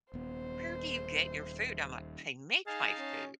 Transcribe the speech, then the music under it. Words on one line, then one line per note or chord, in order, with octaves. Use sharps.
"Where do you get your food?" I'm like, "I make my food,
D#1 B3 C5
D#4 G#4 F5 A5
C#4